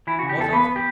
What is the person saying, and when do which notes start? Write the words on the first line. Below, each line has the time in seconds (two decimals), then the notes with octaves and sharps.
"What of him?"
0.07 E3 E4
0.19 C#3 F#4
0.29 G4
0.38 E2 A4
0.53 B3 B4
0.76 G4